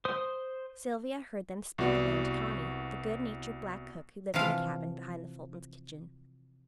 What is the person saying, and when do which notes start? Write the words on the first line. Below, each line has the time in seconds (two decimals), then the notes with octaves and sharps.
Sylvia heard them speak of Aunt Connie, the good-natured black cook, who lived in a cabin behind the Fultons' kitchen.
0.05 C5 D#6
1.78 C2 B3 F#4 D5
4.34 C3 E3 F3 F5